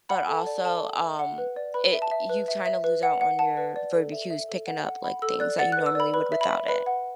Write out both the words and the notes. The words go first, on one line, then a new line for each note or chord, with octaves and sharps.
but also, um, it you've trying to lose out on your verbal cues picking up, like, things that you normally would without it.
F#5 B5
A4
A5
D5
A4 A5
E5
E5
F#5
B4
D5
B4 B5
E5
A5
E5
B4
E5
E5
B4
F#5
F#5
F#5 A5
B4
D5
A4
E5
E5
A4
F#5
F#5
F#5 B5
A4 E6
D5 F#6
F#5 A6
F#6
B4
E6
D5 B5
B4 B5
E5
B5
E5
B4 B5
F#5